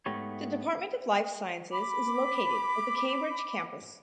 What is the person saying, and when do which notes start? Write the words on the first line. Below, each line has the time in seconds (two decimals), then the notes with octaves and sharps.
The Department of Life Sciences is located at the Cambridge campus.
0.06 G#2 A3 B3 G4 C#5
1.71 B5 D6